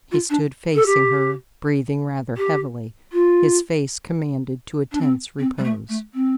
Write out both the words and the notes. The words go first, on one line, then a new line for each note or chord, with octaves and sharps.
He stood facing her, breathing rather heavily, his face commanded to a tense repose.
F4
D4
A4
G4
G4
F4
D4
C4
C4
G3
A3
A3
C4